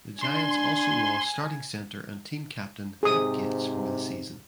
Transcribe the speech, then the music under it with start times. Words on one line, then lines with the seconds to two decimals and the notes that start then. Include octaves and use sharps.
The Giants also lost starting center and team captain Nick Gates for the season.
0.21 D4 G#5 C6
3.03 G#2 C3 G#4 D#6